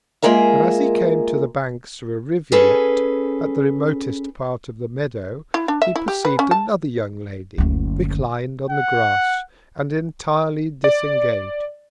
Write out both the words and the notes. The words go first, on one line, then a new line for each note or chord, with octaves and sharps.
But as he came to the Banks of a Rivulet, at the remotest part of the Meadow, he perceiv'd another young Lady, reclin'd on the Grass, and entirely disengag'd.
G#3 A#3 F4 G#4 A#4 E5
C#4 G#4 A4 B4
E4
D4
E5
E4
G4
B4
C#4
A5
F#1 D2
F#5
D5